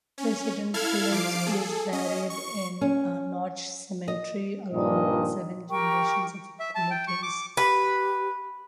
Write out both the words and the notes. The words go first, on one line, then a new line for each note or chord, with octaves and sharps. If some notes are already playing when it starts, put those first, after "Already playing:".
President Coolidge is buried in Notch Cemetery, along with seven generations of Coolidges.
C#4
E4 A4 F5 F6 G#6
F3 F5 D6 C7 D7
G#4 A4
C#4 D#5
C#6
C#4
D#5
G2 A#2 D#3 F3 D4 D#5
G4 A#4 G5 C#6
E5
A5
G5
C#6
D6
G4 B4 B5